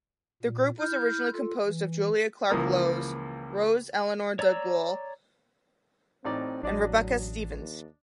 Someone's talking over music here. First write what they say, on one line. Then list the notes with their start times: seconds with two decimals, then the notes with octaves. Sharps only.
The group was originally composed of Julia Clarke-Lowes, Rose Elinor Dougall and Rebecca Stephens.
0.43 A#2
0.79 E4 F6 G6
1.33 F4 A4
1.66 E3
2.50 C#2 E3 F3 A#3 A#5 D#6
4.39 C#5 D5 A#5 E6
6.24 A1 C4 D#4 D5
6.63 A1 F#3 D4 D5 D#5
7.59 D#2